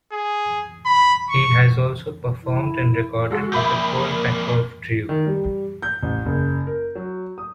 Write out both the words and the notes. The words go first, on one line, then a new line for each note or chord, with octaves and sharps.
He has also performed and recorded with the Kolpakov Trio.
G#4
B5
C#6
E4
G#3 F#4 A4 F#5
F2 A#2 A#4 E5 B5 G6
D#3
G3
G6
A1
F#1
A#4
F#3
D#6